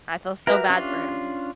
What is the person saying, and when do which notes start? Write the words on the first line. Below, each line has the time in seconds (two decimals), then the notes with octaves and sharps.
I feel so bad for him.
0.47 F#4 G4 A#4 B4 E5
0.70 C#4 D4 F4